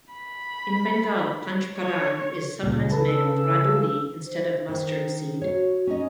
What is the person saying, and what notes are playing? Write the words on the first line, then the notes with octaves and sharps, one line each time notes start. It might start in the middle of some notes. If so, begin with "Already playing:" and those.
In Bengal, panch phoron is sometimes made with radhuni instead of mustard seed.
B5
C#5
C#2 A#2 C#3
A4 B4 A5
E6
C5
D#3 C5
F#4 C#5
C#4 D#4 D#5